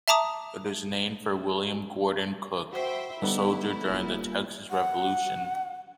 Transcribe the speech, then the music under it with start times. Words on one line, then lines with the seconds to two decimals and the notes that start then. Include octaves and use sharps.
It is named for William Gordon Cooke, a soldier during the Texas Revolution.
0.08 E5 A5 A#5 D6 D#6
2.73 F#4 C5 E5 G5 B5
3.22 D3 G3 B3 D#4 E4
3.89 E1 G3 A#3 F4
4.69 F#5